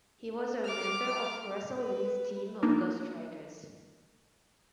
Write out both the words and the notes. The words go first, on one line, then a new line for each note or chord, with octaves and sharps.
He was a member of Russell Lee's team of ghost writers.
D6 F6
B4
E3 F3 A#3 D4 D#4